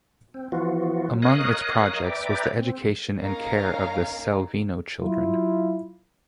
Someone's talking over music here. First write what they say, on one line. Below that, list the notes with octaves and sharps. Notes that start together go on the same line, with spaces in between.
Among its projects was the education and care of the Selvino children.
C4
E3 F3 B3 F4 F#4
F#3
A#4 C#5 D#5 F5 D#6 F#6
B4 D5 E5 G5 A#5 D6
C4
A#3 C#4 D#4 A#4 F5 A#5
F#3 E4 F4